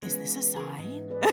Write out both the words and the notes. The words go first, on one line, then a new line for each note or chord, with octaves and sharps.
"Is this a sign?"
E3 G#3 B3 C#4
E3 G#4 A#4
G#2
G#4 B4 D5